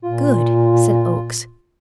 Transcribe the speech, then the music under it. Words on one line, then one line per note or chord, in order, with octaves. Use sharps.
"Good!" said Oakes.
A#2 F4